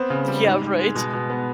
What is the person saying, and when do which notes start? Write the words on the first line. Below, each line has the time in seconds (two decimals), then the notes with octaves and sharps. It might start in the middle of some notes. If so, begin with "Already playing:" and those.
Yeah, right.
Already playing: B3 C4 C5
0.10 C#3
0.28 G3
0.44 G#2
0.61 G#2
0.79 G#3
0.95 B2
1.13 B2
1.30 B3